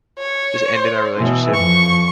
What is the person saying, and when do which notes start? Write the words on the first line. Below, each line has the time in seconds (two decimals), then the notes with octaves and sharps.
just ended our relationship.
0.19 C#5
1.16 B2 E3
1.54 F2 C#6